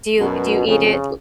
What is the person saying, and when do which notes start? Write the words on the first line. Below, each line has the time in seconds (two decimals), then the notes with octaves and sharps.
Do you do you eat it l
0.18 F#2 B2
0.66 F2 C#3
0.81 F2